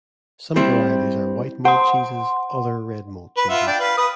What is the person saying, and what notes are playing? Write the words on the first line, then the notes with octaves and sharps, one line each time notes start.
Some varieties are white mold cheeses, others red mold cheeses.
G3 C4 E4
C5 F#5 C6
B4
F4 E5 F#5
D4 G5
B4 F5
B4 D#6